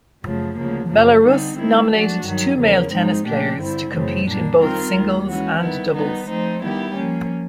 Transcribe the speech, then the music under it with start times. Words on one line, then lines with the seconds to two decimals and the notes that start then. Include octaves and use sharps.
Belarus nominated two male tennis players to compete in both singles and doubles.
0.24 F#2 C#3 F3 A3
0.57 D2 C#3 F3 A#3
0.91 F#2 C#3 F3 A#3
1.24 D3 G3 C4 D#4
1.57 D#3 G#3 C4 E4
1.92 F3 A3 D4 F#4
2.25 G2 D#3 F#3
2.59 E2 C#3 F3 A#3 C#4
2.92 G#2 F3 G#3 C4 D#4
3.26 A#2 F3 A3 D4 G4
3.60 G2 D3 G3 C4 E4
3.93 F#2 C#3 E3 A3 C4
4.27 A#2 G3 A#3 D4
4.60 D#3 G3 C4 F4 A#4
4.94 D#2 D#3 G#3
5.28 E3 G#3 C#4 F#4
5.61 D#3 G3 B3 E4
5.94 D#3 G3 B3 D#4
6.29 F3 A3 C4 D#4
6.62 D#3 G3 B3 E4 G4
6.96 F3 A#3 C#4